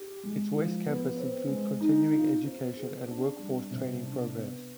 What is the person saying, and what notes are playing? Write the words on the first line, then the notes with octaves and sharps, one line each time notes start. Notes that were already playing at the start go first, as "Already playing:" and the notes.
Its West Campus includes continuing education and workforce training programs.
Already playing: G4
G#3
F3
B3
C4
G#3
D#4
F4
C4
G#4
D4
G3
C3
D4
B3